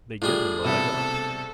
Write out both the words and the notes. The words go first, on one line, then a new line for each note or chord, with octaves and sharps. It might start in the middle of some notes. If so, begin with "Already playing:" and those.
They give him a leg up.
A2 G3 D4 F4 G#4
C2 B2 A4 E5